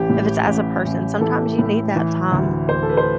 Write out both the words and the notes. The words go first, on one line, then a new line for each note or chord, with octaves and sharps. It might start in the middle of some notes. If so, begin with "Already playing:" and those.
If it's as a person, sometimes you need that time
Already playing: A1 E3 G4
A2
A1
A1
E3 A4
A2
E3
D2
D2 C5
A4
B4
C5